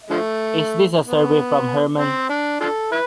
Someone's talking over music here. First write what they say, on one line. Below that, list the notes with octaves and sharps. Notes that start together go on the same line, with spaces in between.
Is this a survey from Herman?
D3 F3 A3
B3
C4
D4
D4 F4 A4
E4 B4